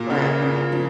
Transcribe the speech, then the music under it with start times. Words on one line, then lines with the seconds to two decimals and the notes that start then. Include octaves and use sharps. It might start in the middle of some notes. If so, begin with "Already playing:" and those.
Right, right.
Already playing: A#2 A#3
0.10 C#3
0.42 C#3
0.72 F3